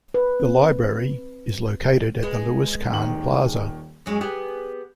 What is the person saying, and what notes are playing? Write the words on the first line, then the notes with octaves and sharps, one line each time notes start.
The library is located at the Louis Kahn Plaza.
B4
C4
G#3 B3
D#1 D#3 F#7
F#2 F#3 G#3
B3 G4 G#4